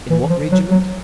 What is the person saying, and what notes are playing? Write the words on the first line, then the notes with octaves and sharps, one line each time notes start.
In what regiment?
E3
F3
F#3
F#3